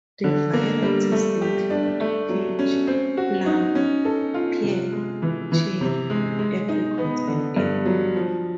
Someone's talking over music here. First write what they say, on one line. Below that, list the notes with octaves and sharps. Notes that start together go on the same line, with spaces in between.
The varieties include peach, plum, pear, cherry, apricot and apple.
D3
A#3
G3
A3
G4
D4
A3
F#3
C#4
C4
F#4
D#4
C#4
A4
F4
C3
G#3
E3
E3
C3
G#3
G#3
D#4
B3
D3
G2
F#3
F3